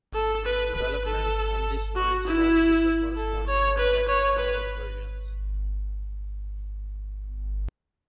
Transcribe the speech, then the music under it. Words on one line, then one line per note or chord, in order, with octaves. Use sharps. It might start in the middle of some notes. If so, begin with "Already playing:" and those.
Development on this line stopped with the corresponding text mode versions.
A4
B4
B4
A4
F#4
E4
A4
C#5
B4
C#5
B4